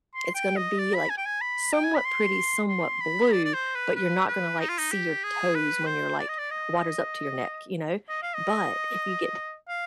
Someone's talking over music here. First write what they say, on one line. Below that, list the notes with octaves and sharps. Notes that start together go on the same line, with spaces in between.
it's gonna be, like, somewhat pretty, somewhat blue, but you're not gonna like see your toes when you're like water's up to your neck, you know, but if you get
C6
G5
D#5
D5
B5
G#5
G5
G#5
B5
G5
G#5
B5
C6
C6
B5
D5
D5
C5
B4
B4
B4
D#4
F4
D#4
G4
G#4
B4
C5
D5
D#5
D5
D#5
D#5
F5
D#5
F5